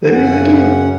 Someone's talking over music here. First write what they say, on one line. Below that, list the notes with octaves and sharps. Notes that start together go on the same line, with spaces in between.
they really do.
F#2 C#3 C#4 F#5